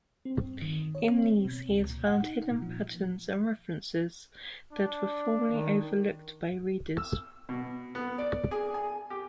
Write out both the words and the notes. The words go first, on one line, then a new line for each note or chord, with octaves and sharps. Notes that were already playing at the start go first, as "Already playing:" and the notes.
In these, he found hidden patterns and references that were formerly overlooked by readers.
C4
G2
D#3
C#5
C4
B2
C#2
A#2
F#5
D#4
A#2
F3
D4
D#3
E6
B2
B3
D5
G#4
G#5
G4